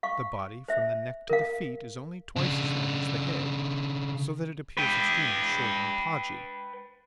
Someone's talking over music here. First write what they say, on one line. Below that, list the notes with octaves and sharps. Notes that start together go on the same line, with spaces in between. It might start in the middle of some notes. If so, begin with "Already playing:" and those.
The body from the neck to the feet is only twice as long as the head, so that it appears extremely short and podgy.
F5 C#6
C5 E5
A#4 F5
C#3 D4
B4 G5